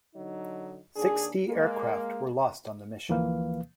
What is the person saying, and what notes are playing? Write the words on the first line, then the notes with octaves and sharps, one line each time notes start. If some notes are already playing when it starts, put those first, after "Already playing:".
Sixty aircraft were lost on the mission.
D3 F#3 D#4
D#2 D4 G#4
G#3 A#3
D2 E3 F3 A#3 B4 F5